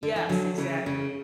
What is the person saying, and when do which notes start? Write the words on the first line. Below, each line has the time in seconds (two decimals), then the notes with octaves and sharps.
Yes, exactly.
0.03 D3
0.16 E3
0.29 D3 F#3
0.58 C#3 E3
0.86 C#3